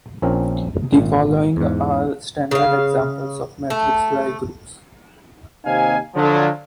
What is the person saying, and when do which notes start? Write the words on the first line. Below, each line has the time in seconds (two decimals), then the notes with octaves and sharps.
The following are standard examples of matrix Lie groups.
0.22 A#1 A#2 C4 C#4 A#4
0.92 G#1 A#2
1.57 E2 G#2
2.51 C#3 F5
3.70 A3
5.65 D#2 C3 C4 D#4 F5 G#5
6.15 D3 F3 F#3